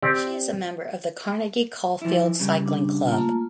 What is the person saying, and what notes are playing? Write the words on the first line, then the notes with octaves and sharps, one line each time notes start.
She is a member of the Carnegie Caulfield Cycling Club.
C4 G4 D5
F3 E4
C#3 G3
D4
A3 A#3 F4